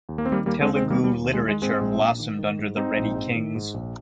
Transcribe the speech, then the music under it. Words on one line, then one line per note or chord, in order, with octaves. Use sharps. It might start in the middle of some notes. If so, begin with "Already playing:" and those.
Telugu literature blossomed under the Reddy kings.
D#2
A#3
D#3 C4
G3 A#3
D#2 G3 A#3
G#3 C4
D#2
G#3 C4
D#3
G3 A#3
D#2 G3
D#2
G#3
D#3 G#3
G#2 G#3 C4
A#1
A#1
D#3
D#3
G#2
G#2 C4 D#4
A#1
G#2
D#3
G#2
A#1